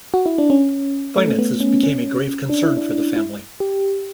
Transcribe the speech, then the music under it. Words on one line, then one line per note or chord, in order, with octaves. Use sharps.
Finances became a grave concern for the family.
F#4
E4
D4
C#4
A3
B3
C#4
C#4
D4
E4
D4
E4
G4